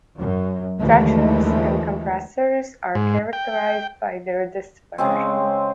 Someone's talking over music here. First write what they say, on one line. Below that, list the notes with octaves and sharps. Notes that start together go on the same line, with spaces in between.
Stretchers and compressors are characterized by their dispersion.
F#2
D#2 D3 E3 F3 G#3 A3
G#2
G5
C#3 G#3 C4